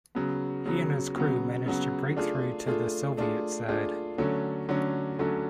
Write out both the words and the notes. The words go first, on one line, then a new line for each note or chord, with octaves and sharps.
He and his crew managed to break through to the Soviet side.
C#3 F#3 B3
C#3 F#3 B3
C#3 F#3 B3
C#3 F#3 B3
A3 D4 F4 G#4
A3 D4 F4 G#4
A3 D4 F4 G#4
A3 D4 F4 G#4
D3 F#3 A3 C#4
D3 F#3 A3 C#4
D3 F#3 A3 C#4